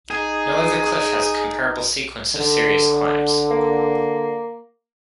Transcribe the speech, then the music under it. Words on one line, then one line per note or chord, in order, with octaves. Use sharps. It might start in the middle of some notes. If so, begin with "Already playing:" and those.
No other cliff has a comparable sequence of serious climbs.
D#4 G#4
D3
A#3